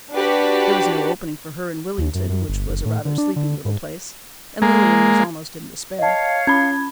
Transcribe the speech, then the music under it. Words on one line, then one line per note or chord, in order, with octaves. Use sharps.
There was no opening for her in Willington, which was a rather sleepy little place, and Lilian was almost in despair.
D4 F#4 G4 B4 D5
D#2
F#2
F#2
G1
F#1
A2
D3
D4
D3
G#2
G#3 A#3
C#5 D#5 F5 A5
C#4 B5 G#6